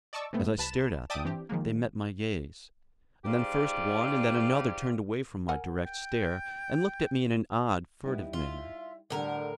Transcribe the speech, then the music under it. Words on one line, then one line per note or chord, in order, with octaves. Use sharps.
As I stared at them, they met my gaze; and then first one and then another turned away from my direct stare, and looked at me in an odd, furtive manner.
D5 D#5 A5 C#6 D6 E6
C3 G#3 A3 B3
C2 B4 A5 B5 E7
D5 E5 G5 A5 D6 D#6
E3 C4 D4 G4
D#3 F3 G#3 A#3
G#2 F4 G4 D5
A#4 F#5 G#5
G5
G3 B3 D#4 E4
F4 E5
D2 A2 D3 G3 A4 A#4 F#5